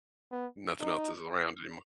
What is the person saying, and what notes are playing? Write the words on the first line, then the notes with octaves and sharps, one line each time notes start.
nothing else is around anymore.
B3
D#4